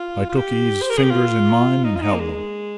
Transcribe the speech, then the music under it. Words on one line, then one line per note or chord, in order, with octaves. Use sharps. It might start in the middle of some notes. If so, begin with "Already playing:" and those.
I took Eve's fingers in mine and held them.
Already playing: F4
F4
G4
C5
A#4
G#4
G4
F4
D#4
F4
D#4
A#3
G#3